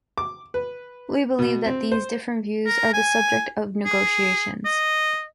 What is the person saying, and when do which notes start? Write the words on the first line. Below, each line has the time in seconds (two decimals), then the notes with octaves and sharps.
We believe that these different views are the subject of negotiations.
0.18 D6
0.54 B4
1.39 B2
1.66 C4
1.92 C5
2.66 A#4
2.93 G#5
3.86 G#4
4.65 D#5